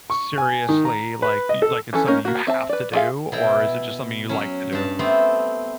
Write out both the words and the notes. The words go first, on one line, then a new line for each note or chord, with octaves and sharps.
seriously, like y like it's something you have to do, or is it just something you like to do?
C#6
G#5
D#3
A#5
B4
D#5
A4
E3 C#4 A4
A#3 C#4 D#4 A#4
A#3 F#4
C4 E5 A5
B4 D5
B3 F4 G#4 E5 F5
B2 E4 G5
F#3 C#4
G2 A5
A3 B3 C4